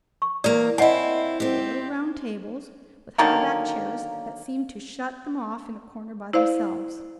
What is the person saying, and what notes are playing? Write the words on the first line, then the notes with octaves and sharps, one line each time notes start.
There were little round tables with high-backed chairs that seemed to shut them off in a corner by themselves.
C#6
E2 A#3 D5
C4 E4 D#5 F#5 G#5
C4 G4
D3 D#3 F#3 A#3
E4 C5 D5 F5